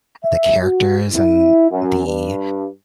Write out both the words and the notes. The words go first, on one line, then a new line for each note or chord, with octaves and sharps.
the characters and the
E5
F#4
E4
F#2
G2